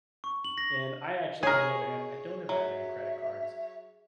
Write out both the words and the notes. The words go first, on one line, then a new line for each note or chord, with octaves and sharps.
And I actually, on the other hand, I don't have that many credit cards.
C#6
F#7
A#6
G#4 A#4 C#5 G#5
F#3 E5